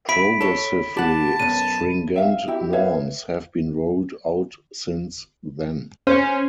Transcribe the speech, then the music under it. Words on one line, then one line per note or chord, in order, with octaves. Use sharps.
Progressively stringent norms have been rolled out since then.
E5 B5 B6 D7
A4 C#5
G4 F#5 A5
B1 F#2 D#7
E5 F5
E4 F#4 G4 E5
B4 C#5 E5 F5
C#4 C5